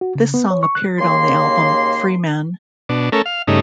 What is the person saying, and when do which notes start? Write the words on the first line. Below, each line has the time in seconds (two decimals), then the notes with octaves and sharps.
This song appeared on the album "Freeman".
0.01 F#4
0.15 C#3
0.34 B3
0.51 C#5
0.63 C#6
0.75 F#6
0.99 D#2 C#3 A#3 C6
2.89 B2 D4
3.12 A3 C#4 A4 A#4
3.26 F5
3.47 G2 C#3 A3 D#4